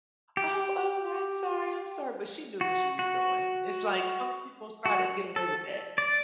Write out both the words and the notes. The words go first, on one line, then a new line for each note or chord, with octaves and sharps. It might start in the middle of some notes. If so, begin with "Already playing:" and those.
"Oh, oh, I'm sorry, I'm sorry," but she knew what she was doing. It's like some people try to get away with that.
G4
F#4
F#4
F#4
A4
D5